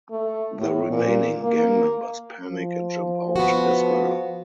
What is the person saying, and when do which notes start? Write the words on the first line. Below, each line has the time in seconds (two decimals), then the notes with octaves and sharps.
The remaining gang members panic and jump out as well.
0.11 A3
0.60 A2
0.91 A#2
1.43 A#3
2.48 F3
3.36 B3 F#4